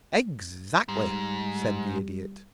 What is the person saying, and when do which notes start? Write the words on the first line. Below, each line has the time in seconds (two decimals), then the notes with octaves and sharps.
"Exactly," said the Idiot.
0.89 G#2 G3